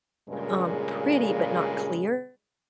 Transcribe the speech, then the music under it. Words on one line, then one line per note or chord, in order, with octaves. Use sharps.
um, pretty but not clear,
G2 A#2 C#3 G#3